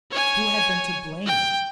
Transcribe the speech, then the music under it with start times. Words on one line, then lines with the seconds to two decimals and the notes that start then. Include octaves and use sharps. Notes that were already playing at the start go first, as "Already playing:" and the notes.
Who had been to blame?
0.11 C#5 G#5
1.26 G5